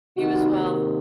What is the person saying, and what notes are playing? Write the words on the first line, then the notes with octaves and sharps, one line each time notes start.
You as well.
C3 D#3 A#3 D#4 F#4